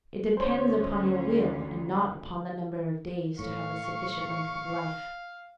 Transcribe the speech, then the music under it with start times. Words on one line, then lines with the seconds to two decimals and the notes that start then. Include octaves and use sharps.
It depends upon your will, and not upon the number of days, to have a sufficient length of life.
0.37 D2 C#4 C5 C#5
3.39 A2 F5 C#6